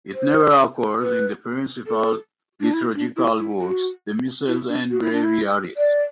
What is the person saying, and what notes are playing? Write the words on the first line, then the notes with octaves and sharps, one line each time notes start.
It never occurs in the principal liturgical books, the missals and breviaries.
C5
B4
A4
D4
E4
D4
E4
E4
F#4
E4
D4
F#4
E4
D4
E4
D5